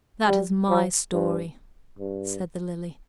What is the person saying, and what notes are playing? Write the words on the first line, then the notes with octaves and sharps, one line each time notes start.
"That is my story," said the Lily.
G3
F3
G2
G2